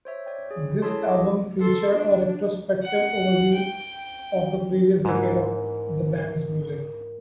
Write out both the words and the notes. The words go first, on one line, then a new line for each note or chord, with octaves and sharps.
This album featured a retrospective overview of the previous decade of the band's music.
C5 C#5 E5
C#5 D5 G5
G#4
E4 G#4 A4 C#5 A5 C6
D#5 D6
A4 C6
D4
F#5
G5
G#2 E3 A#4